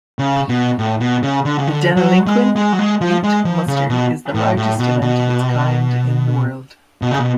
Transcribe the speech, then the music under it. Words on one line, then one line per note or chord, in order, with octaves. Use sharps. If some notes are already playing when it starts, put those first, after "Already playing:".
The Deniliquin Ute Muster is the largest event of its kind in the world.
C#3
B2
A2
B2
C#3
D3
C#3
D3
F#3
G#3
G#3
F#3
G#3
F3
G#3
F3
C#3
B2
A2
A2
B2
B2
B2
C#3
B2